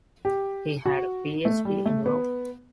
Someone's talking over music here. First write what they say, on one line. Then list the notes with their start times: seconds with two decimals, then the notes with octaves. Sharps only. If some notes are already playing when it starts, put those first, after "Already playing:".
He had a PhD in law.
0.25 G4
0.86 F#4
1.45 A3
1.65 G3
1.86 A3
2.06 B3